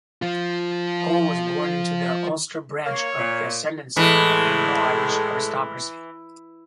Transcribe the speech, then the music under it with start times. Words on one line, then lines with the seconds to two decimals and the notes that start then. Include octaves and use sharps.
Cole was born into the Ulster branch of 'the Ascendancy', the Anglo-Irish aristocracy.
0.22 F3 F4
2.85 A#3 C#5
3.18 A#2
3.97 A2 E3 G#3 A4